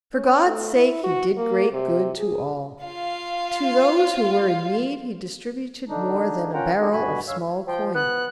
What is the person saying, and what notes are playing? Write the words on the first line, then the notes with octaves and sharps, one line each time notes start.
For God's sake he did great good to all: to those who were in need he distributed more than a barrel of small coins.
C#4
A3
E4
F#4
A#3
C3
G#4
F4 F5
D3 D4 D#4
C#4 F4 A#4 F#5 G5 A#5
A3 C4 D4 D#4 G4 A4
G2 B2 D3 F#4 G#5 B5
G2 C#5 F5 E6
F3 G5
B3 F#6